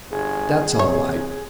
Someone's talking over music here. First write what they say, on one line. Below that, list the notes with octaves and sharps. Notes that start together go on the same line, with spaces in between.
That's all wight.
G1 G#4
C3 C#5